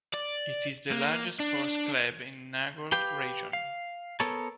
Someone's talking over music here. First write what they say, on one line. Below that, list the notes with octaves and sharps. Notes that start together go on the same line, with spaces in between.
It is the largest sports club in the Nagold region.
D5
A#3
D4
G4 B4 F5 G5
F5
B3 A4 A#4 C#5 A5